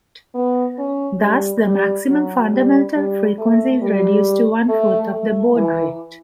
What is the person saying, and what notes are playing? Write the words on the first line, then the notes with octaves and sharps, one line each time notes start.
Thus, the maximum fundamental frequency is reduced to one fourth of the baud rate.
B3
C#4
G3
G3
F#3
G3
G3
A3
G3
A3
A3
E3